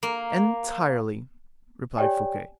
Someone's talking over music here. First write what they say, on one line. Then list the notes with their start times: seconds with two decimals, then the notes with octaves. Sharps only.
"Entirely," replied Fouquet.
0.03 A#3
1.97 G4 C#5 D5 G5 G#5